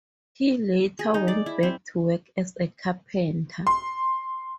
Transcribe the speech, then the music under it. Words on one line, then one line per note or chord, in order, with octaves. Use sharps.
He later went back to work as a carpenter.
G#4
D#4
D5
E4
C4
C6